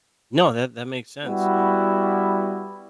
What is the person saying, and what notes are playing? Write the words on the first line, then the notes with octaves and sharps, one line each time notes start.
No, that that makes sense, um,
G3 B3 E4 F#4